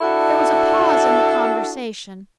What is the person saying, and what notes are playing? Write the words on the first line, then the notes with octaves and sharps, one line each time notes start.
There was a pause in the conversation.
D4 E4 F#4 A4